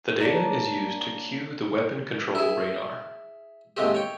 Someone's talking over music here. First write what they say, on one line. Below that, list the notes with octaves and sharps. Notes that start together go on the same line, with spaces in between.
The data is used to cue the weapon control radar.
A#3 D4 C#5 A5
E4 G#4
D#2 A2 G#3 C4 G4
C#5 G5